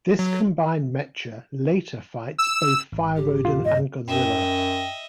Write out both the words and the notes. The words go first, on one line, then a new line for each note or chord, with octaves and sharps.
This combined mecha later fights both Fire Rodan and Godzilla.
F#3
E6
G#1
G4
E2 A#2 F4
G2 A#2 C#4 D#5
F#2 D#5 E5 G5